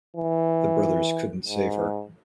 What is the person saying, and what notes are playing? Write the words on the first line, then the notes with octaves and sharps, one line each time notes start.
The brothers couldn't save her.
E3
G#2